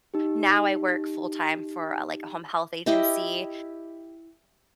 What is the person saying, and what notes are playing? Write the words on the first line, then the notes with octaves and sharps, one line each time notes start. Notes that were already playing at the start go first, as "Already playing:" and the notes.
now I work full-time for a like, a home health agency,
D#4 G4
E4 G4 D#5